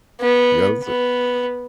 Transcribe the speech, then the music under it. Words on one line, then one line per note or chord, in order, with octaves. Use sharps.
Yeah, that was a
B3
B3